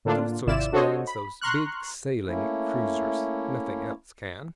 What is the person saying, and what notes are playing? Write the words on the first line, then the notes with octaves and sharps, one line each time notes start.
It also explains those big sailing cruisers; nothing else can.
A2 D3 A#3 D4 F4
G#1 C3 E4 F4 D5 E7
D4 F#4 A4 C5 C#5 D#5
B5
A#5 C6 C#6 F6 F#6
A3 A#3 C#4 E4